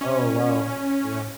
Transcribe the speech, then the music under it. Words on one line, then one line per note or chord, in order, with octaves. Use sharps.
Oh, wow, yeah.
C#4